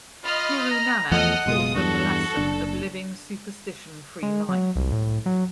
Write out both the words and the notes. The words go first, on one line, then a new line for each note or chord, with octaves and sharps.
Guru Nanak taught them lesson of living superstition free life.
F4 D#5 B5 F6
A#5
E2 F3 A3 A4 D#5 F#5 F6
F#1 B2 G#3 F4 D#6
E2 G2 F#4 A4
F#1 D4
G#3
F#3
C2
A2
F#3